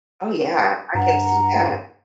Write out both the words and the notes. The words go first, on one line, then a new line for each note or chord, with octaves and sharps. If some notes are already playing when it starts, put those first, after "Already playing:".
Oh, yeah. I can see that.
G2 F#5 A#5